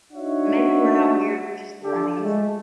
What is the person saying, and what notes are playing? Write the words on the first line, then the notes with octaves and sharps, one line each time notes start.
Maybe we're not weird, we're just bunnies.
D4 D#4 F#4 C#5 E5 F#5
D3 G4 A4
G#3 A3